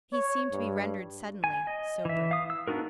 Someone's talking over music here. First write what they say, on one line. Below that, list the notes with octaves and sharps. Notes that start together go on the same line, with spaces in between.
He seemed to be rendered suddenly sober.
C#5
G2
G#5
D#5
E3 E5
F5 D#6
E6
B3 D4 D#4 F#4 A#4